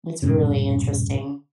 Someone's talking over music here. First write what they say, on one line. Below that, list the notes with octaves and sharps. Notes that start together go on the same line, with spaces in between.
It's really interesting.
E1 G2 A#2 C#3